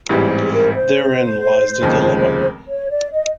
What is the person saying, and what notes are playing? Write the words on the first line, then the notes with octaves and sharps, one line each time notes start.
Therein lies the dilemma.
A1 G#2 E3 G3 C4 G4
G#4
A#4
C5
F1 D#2 C#3 F3 G#3
C#5
D5
D#5